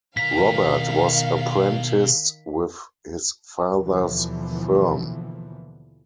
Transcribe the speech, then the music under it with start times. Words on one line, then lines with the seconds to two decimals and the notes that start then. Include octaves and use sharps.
Robert was apprenticed with his father's firm.
0.17 B2 D#3 F5 A#5 B6
3.73 D#2 B2 D3 E3 F3